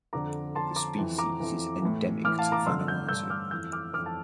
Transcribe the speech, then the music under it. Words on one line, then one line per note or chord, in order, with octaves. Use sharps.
The species is endemic to Vanuatu.
F2 D3 A#5 D6
F2 D3 A5 C6
A#5 D6
F2 E3
A#5 D6
F2 E3
A2 E3
A2 E3 D6 F6
F5 A5
A#5 D6
G2 D3 C6 E6
E6 G6
G2 D3 E6 G6
D6 F6
F2 E3 E6 G6
D6 F6
F2 E3 D6 F6
A5